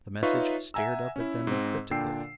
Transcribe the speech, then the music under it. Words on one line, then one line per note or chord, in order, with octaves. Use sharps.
The message stared up at them cryptically.
D#4 F4 B4 C#5 E5 C#6
E5 F#5 G#5 A#5 E6
C#4 E4
G#2 C4
A#2 D3 D4 G5 E6 C7